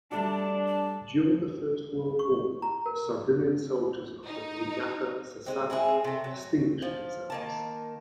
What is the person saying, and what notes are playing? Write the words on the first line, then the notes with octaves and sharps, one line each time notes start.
During the First World War, the Sardinian soldiers of the Brigata Sassari distinguished themselves.
G3 A3 D4 F#4 A5
A5
C#6
A#5
A#4
D#4
G#3 C4
G#3 C4 E4 G#4
C3 A3
F#3
F3
D#3 A#3 A5